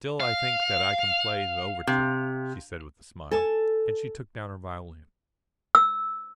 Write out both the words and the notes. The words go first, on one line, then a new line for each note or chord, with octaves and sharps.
"Still I think that I can play the overture," she said with a smile, and she took down her violin.
F5
C3
A4 G#5 A5
E6